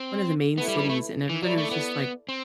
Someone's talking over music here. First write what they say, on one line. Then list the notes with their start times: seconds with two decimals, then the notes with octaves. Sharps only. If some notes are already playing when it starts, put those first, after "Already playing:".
one of the main cities, and everybody was just, like,
Already playing: C4
0.58 A3 B3 E4 B4
0.68 G3
0.79 G3
0.89 A3
1.29 E3
1.43 F#3 E4 A4 D5
1.58 A3
1.71 B3
2.29 C4